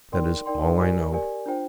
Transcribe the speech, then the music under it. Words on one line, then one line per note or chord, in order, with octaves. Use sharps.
That is all I know.
D#4 A#4 D5 G5 C6
D#4 A#4 D5 G5 C6
G4 A#4 D5 G#5
G4 A#4 D5 G#5
D4 F4 C5 G5